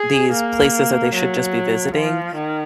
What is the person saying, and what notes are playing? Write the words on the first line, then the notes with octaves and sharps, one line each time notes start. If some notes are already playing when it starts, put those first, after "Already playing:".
these places that they should just be visiting.
Already playing: G#4
A#3
F#3
F3
D#3